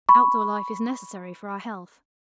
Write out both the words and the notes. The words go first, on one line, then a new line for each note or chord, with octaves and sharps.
Out-door life is necessary for our health.
B5 C#6